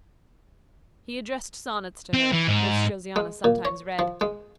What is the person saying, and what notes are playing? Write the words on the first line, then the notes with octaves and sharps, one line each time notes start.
He addressed sonnets to her, which Josiana sometimes read.
C4
E3
G#2
G#3
A#2
C#5
F3
G#3